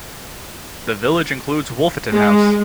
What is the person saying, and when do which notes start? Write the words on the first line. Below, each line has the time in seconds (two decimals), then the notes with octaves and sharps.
The village includes Wolfeton House.
2.11 G#3